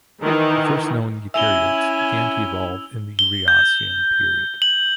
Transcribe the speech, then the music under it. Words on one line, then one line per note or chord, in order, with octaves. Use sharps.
The first known eukaryotes began to evolve in the Rhyacian period.
D#3 E3
C#4 E4 E5 G#5 E6 F7 G7
G7
G6
F#7